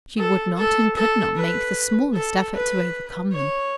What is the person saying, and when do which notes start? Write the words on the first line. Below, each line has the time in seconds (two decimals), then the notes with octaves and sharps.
She would not and could not make the smallest effort to overcome them.
0.17 A4
0.57 A4
0.95 A4
1.36 B4
2.13 A4
2.54 B4
3.32 C#5